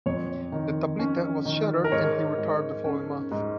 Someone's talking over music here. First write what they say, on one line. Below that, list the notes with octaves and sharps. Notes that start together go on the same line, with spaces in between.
The "Tablita" was shattered and he retired the following month.
F2 C#5
D#3
C#4
D#3
A#4
G#2 C#5
G#2
C#4
G#2